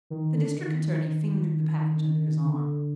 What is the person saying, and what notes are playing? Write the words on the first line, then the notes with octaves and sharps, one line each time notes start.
The district attorney fingered the package under his arm.
D#3
D3
D#3
D3